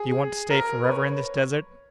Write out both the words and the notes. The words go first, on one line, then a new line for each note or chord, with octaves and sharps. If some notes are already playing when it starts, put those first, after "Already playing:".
"Do you want to stay forever in this desert?"
Already playing: G#4
A#4
B4
C#5